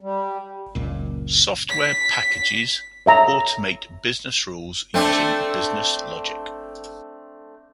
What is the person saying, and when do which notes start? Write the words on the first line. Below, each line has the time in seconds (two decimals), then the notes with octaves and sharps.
Software packages automate business rules using business logic.
0.01 G3
0.75 F#1 C#2 A#2
1.70 B6
3.06 C#5 E5 A#5
4.94 A3 C4 D4